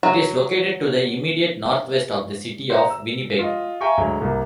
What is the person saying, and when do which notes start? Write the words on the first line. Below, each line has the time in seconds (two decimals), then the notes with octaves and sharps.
It is located to the immediate northwest of the city of Winnipeg.
0.03 F#3
2.70 C5 D#5 F#5 A#5
2.90 E6
3.39 F4 D#5
3.81 E5 F5 G5 G#5 A#5 C#6
3.97 D2 F#3 G#3
4.20 C2 A#3